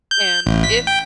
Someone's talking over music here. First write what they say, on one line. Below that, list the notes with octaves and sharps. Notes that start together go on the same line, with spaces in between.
and if
G6
A1
B6
G5